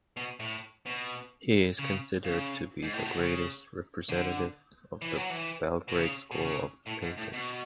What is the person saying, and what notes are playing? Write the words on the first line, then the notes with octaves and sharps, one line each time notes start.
He is considered to be the greatest representative of the Belgrade School of Painting.
B2
A2
B2
C#3
C#3
G#2
A2
B2
C#3
D3
E3
F#3
E3
B2
C#3
B2
C#3
A2
G#2
A2
B2